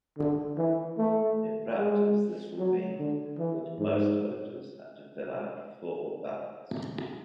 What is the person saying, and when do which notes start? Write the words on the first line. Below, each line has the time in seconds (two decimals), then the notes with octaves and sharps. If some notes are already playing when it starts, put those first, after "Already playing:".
In practice this will mean that most voters had to fill out four ballots.
0.18 D3
0.58 E3
0.98 A3
1.78 G#3
2.59 F#3
2.99 D3
3.39 E3
3.79 G#2